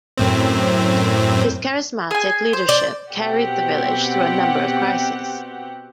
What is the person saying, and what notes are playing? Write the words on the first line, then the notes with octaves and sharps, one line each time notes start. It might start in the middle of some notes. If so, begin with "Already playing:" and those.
His charismatic leadership carried the village through a number of crises.
F#2 A2 C4
G#4 G#5
C5
D5
B2 C4 G4 F#5